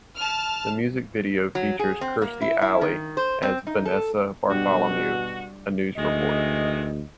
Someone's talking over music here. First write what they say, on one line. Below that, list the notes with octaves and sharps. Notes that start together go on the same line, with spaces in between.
The music video features Kirstie Alley as Vanessa Bartholomew, a news reporter.
A5 F6
F#3
G#4
C4
A#3
E4
E4
D#3
C5
C4
D#4
A4
B2 D3 G3 F#4
D2 D#3 E3 G#3 D#5